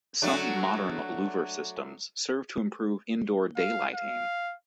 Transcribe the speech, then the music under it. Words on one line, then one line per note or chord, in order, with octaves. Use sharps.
Some modern louver systems serve to improve indoor daylighting.
F#3 A3 D4
F5
F5